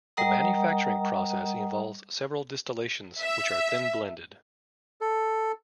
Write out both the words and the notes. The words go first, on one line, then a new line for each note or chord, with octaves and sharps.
The manufacturing process involves several distillations which are then blended.
G3 A#4 D#5 F#5 A#5 D#6
E5
A4